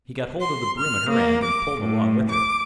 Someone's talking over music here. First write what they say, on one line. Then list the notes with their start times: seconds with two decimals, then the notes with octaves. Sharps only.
He got hold of the broom at her end and pulled along with her.
0.40 C6
0.78 F6
1.09 A#3
1.42 D6
1.79 A2
2.29 D6